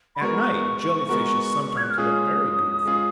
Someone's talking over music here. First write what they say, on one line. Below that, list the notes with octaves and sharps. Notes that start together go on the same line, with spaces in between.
At night Jelly-fishes sometimes look very beautiful.
B5
G#3 B3 F#4 A#4 C#6
G#3 B3 F#4 A#4
G#6
F#6
F6
G#3 C#4 F4 G#4 D#6
G#3 C#4 F4 G#4